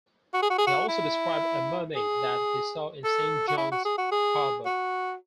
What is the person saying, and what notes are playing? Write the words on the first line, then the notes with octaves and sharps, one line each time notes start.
He also described a mermaid that he saw in Saint John's harbour.
F#4
G#4
F#4
G#4
F#4
E4
G#4
A4
F#4
E4
F#4
G#4
F#4
G#4
F#4